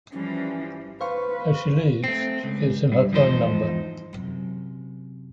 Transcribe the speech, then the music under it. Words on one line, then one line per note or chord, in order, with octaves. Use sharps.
As she leaves, she gives him her phone number.
E3 F3 G3 C#4
B4 C5 F5 C#6
A3 C4
C#2
G2
E2 G#2 F3 D#4 C5 C6
F#2 C3